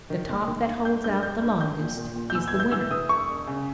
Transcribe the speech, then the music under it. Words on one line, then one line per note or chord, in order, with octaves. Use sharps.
The top that holds out the longest is the winner.
D#3
D#2
D#2
D#2
G1 G6
G2 G6
G1 G6
G1
A#1 G6
A#2
A#2
A#2
G6
E2 E6
G#6
E3
G6
E3 E6
E3 D#6
E1 C#6
E1
C#3